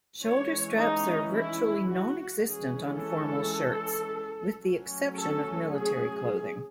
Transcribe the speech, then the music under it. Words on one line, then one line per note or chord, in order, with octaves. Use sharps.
Shoulder straps are virtually non-existent on formal shirts, with the exception of military clothing.
E3 G#3 C#4 C#5
D#4
E4
F#4
E3 G#3 C#4 G#4
A4
F#3 A3 C#4
A4
G#4